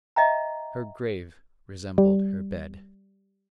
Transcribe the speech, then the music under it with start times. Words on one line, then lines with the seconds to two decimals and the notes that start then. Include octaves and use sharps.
Her grave resembled her bed.
0.16 D#5 E5 G5 A#5
1.98 G3